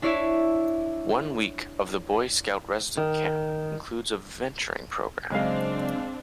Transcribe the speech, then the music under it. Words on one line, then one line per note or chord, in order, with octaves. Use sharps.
One week of the Boy Scout Resident Camp includes a Venturing program.
D4 E4 C#5 D5 E5
D#3
C#3 F#3 G#3 C4 D4 C5 F5